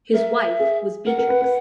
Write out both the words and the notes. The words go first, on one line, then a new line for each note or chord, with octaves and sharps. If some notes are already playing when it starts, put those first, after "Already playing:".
His wife was Beatrix.
A#4 E5
G#4
A#4 F#5
A#4
B4
B4